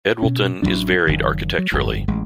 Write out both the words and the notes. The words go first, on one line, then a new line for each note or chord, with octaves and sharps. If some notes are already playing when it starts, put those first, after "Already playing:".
Edwalton is varied architecturally.
B2 C#4
A1 F3 F#3 D4
F#1 D#3
F#3
G1 F2 G#2
A1 G#3